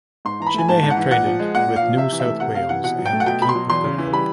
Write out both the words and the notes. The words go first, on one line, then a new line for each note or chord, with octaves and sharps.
She may have traded with New South Wales and the Cape of Good Hope.
G#2 C6
E3 A#5
B5
A3 G#5
G#2 A5
G#2
F#5
E3
A#2 F#5
F3
G#3
A#2 F#5
A#2
F5
F3
C3 E5
E3
E5
A3
C3 F#5
C3 F5
E3 F#5
B2 F#5
F#3
G5
A3
F#5
B2 G5
B2 B5
C6
F#3
E2 C6
C#3
E3
G3 B5